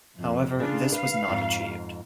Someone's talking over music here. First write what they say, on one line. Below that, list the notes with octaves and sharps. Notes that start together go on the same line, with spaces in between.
However, this was not achieved.
F2
C#3 D4 F4
B4 F5
F2 G#2